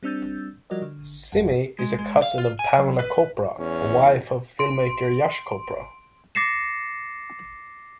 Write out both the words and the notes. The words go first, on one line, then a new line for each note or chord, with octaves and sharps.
Simi is a cousin of Pamela Chopra, wife of film-maker Yash Chopra.
G3 C4 D4 E6 G6 A6
F3 G3 F#4 A#4 D5 D#5
D3
G#1 F#2 F#5
G#3
G#3
F5
F4
G#5
F#3
B4
E2 C#4
C6 D7
D6 A6 A#6 C7 C#7 E7